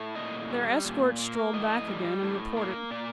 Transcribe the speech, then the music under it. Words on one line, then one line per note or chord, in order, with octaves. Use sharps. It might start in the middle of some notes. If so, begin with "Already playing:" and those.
Their escort strolled back again, and reported.
Already playing: A2 A3
A#2 D#5
G3
A#2
A#3
A2 D#5
G3
A2
A#3
A#2 D5